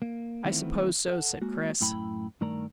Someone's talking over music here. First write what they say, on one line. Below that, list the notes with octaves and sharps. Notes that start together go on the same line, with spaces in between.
"I suppose so," said Chris.
A#3
D#3 E3 A3 B3 C4 E4
A4 E5 F#5
G#3 A#3 F#4
F#2 A2 A3 E4 G5 B5
G2 D#3 A3 A#4 D5 A#5